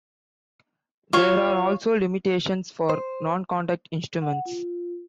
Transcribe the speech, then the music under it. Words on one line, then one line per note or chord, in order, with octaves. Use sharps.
There are also limitations for non-contact instruments.
F4 C#5
C5
F#5
F4